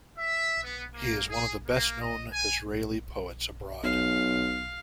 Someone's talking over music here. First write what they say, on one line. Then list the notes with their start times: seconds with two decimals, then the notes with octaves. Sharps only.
He is one of the best known Israeli poets abroad.
0.19 E5
0.64 B3
0.95 A#3
1.30 G#4
1.67 A#3
2.01 D#5
2.32 G#5
3.83 B1 F5